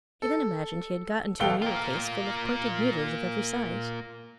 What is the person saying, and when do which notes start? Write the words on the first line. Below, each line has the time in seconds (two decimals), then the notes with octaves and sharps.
He then imagined he had got into a needle-case full of pointed needles of every size.
0.22 A4
1.40 A1 B2 A4 F5 G5 G7
1.62 A#3 F4